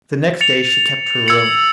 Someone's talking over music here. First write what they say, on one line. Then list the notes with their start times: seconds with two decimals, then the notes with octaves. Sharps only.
The next day she kept her room.
0.41 A6 C#7 F7
1.26 E6 G#6 C#7 F#7